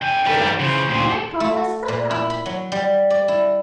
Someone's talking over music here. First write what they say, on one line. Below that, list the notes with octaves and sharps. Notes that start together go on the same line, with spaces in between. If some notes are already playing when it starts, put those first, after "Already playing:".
"She writes; and I call her stuck up."
D3 G5 G#5
C#2 D#3 G3 B4
C#3 E3 F3 C5
D2 A#2 G4 G#4 C5
A3
A#2
E4
B5
F#3
G3
D5
E4